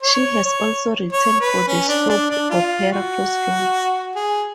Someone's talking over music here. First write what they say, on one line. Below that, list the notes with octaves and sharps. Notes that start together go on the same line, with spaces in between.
She has also written for the soap opera "Crossroads".
C#5
C#5
C#5
B4
C#4
D4
D4
D4
F4
F#4
G#4